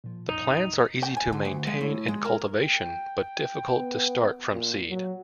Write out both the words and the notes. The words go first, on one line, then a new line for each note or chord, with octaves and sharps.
The plants are easy to maintain in cultivation but difficult to start from seed.
A#2 F3
B1 F#2 D#4
G5
G#5
D3
D2
G#3
A2
G#3
A#4
G5
B3
A#2
F#3